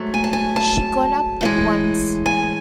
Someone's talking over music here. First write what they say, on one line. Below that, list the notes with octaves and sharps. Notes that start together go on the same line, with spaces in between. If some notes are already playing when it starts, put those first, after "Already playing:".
She got up at once.
Already playing: G#2 F#3 A3
G#5
A5
G#5
A5
A2 E3 G#3
G#5